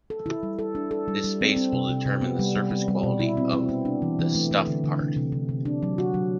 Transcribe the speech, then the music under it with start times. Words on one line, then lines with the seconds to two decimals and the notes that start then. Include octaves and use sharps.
This space will determine the surface quality of the stuffed part.
0.10 A4
0.26 E4
0.43 G3
0.59 A4
0.75 D4
0.91 A4
1.08 G3
1.24 G3
1.41 C4
1.56 C4
1.73 C3
1.89 C3
2.06 C3
2.22 B3
2.39 G3
2.56 G3
2.71 G3
2.88 G3
3.03 B2
3.20 E4
3.37 C4
3.53 C4
3.69 B3
3.85 D4
4.02 E3
4.19 E3
4.35 A3
4.51 A3
4.67 D3
4.84 D3
5.00 C3
5.17 C3
5.32 C3
5.49 C3
5.65 D4
5.83 F#3
5.98 F#4
6.14 F#3